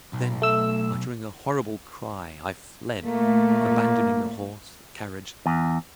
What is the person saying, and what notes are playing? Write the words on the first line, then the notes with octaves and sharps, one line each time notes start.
Then uttering a horrible cry, I fled, abandoning the horse, the carriage.
B1
A3 E6
A#2 A3 A#3
E2